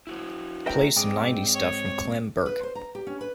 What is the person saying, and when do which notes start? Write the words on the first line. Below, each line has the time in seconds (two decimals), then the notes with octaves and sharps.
Play some nineties stuff from Clem Burke.
0.07 E4 F#4 C5
0.66 A3 A#4 B4 E5 G5 A#5
0.96 G#2 C4 D5 D#5 G5
1.55 C#5
2.46 B4
2.63 C5
2.75 A#5
2.95 G4
3.07 C#4
3.21 B4